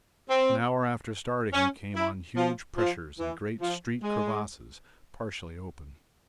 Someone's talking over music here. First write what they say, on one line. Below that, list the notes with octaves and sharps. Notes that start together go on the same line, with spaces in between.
An hour after starting we came on huge pressures and great street crevasses partly open.
C4
C#4
E4
F3
F3
E3
F3
G#3